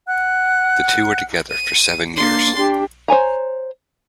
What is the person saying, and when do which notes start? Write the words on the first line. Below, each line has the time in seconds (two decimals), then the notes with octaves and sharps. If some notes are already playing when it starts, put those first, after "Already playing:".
The two were together for seven years.
0.06 F#5 F#6
1.50 D#7
2.16 A#3 D4 C6 A6
2.56 D4 G4
3.08 C5 C#5 G#5 A#5